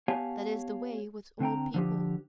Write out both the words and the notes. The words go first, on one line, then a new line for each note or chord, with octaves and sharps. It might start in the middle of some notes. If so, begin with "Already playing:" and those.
That is the way with old people!
B3 G4 C#5 F5 G#5 A5
D3 C4 G5 A#5
D3 F3 G4